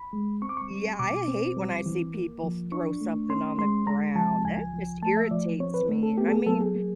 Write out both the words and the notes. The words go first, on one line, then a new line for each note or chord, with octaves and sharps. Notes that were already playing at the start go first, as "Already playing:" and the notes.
Yeah, I hate when I see people throw something on the ground. That just irritates me. I mean,
Already playing: B5
G#3
C4 C#6
D6
C#6
G3
B2 D6
C4
G3
E3
A#3
F3
D4 C#6
A3
C#4 C6
G#3 C6
G#3 A#5
F3 A5
C#2 G#5
F3
A3 A5
E5
F3 D5
C4 C#5
B4
A3
A4
B3 G4
A4
G#4
F#3 A4
G#4
A#3